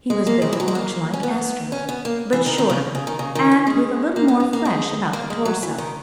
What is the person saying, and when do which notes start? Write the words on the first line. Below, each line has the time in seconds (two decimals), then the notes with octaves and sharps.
He was built much like Estra, but shorter, and with a little more flesh about the torso.
0.10 G#3
0.27 A#3
0.42 G#3
0.53 E3
0.60 F#3
0.68 G#3
0.75 A#3
1.14 C#4
1.23 B3
1.72 C#4
1.89 B3
2.05 A#3
2.33 E3
2.46 D#3
2.58 D#3
2.70 C#3
2.95 C#3
3.07 D#3
3.19 C#3
3.35 D#3
3.51 E3
3.67 G#3
4.16 A#3
4.28 B3
4.40 B3
4.53 A#3
4.65 G#3
5.13 A#3
5.30 G#3
5.45 F#3
5.63 E3
5.78 D#3